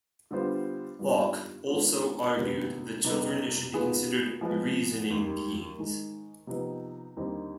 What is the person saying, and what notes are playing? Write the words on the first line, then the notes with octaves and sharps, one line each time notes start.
Locke also argued that children should be considered "reasoning beings".
D3 G3 B3 F4 C5
G2 D#3 G3 B3 F4
G#2 D#3 B3 D4 F4
D2 C3 D#3 B3
C3 G3 B3 D#4
D#3 B3 F4 G#4
F3 G#3 B3
D#2 D#3 G3
G#2 D#3 G#3
C3 F3 B3 D#4 B4
D#2 D3 G3 C4 D#4